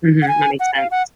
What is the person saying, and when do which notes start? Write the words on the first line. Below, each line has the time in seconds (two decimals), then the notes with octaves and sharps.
Mhm, that makes sense.
0.22 F#5
0.28 G#5
0.60 F#5
0.76 F5
0.91 F#5